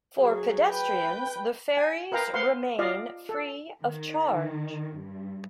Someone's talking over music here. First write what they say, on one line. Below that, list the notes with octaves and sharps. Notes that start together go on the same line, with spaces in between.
For pedestrians, the ferries remain free of charge.
F#3 G#4
B4 G5
G#5
A#4 B4 F5 G5 A#5
B4 C5 F5 F#5 C6
F4 D5 D#5 F5
A4
D#3
G2